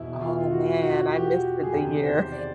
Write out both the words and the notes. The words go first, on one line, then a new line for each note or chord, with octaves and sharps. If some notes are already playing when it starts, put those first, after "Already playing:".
Oh man, I missed it the year.
Already playing: E2 B2 E4
F4
F4
F#4
F#4
G4
F#4
G#4
E2 C3 D#3 G4
C5
D5